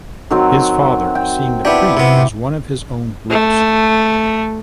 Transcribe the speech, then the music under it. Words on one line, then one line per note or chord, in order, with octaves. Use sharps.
His father seeing the pre as one of his own roots.
D#3 F#3 C4
G5
B3 D4 E4 G4
C3 B3
A3